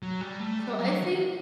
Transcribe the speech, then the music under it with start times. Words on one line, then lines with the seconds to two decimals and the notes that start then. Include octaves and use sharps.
so I think
0.03 F#3
0.21 G3
0.40 A3
0.59 G3
0.79 F#3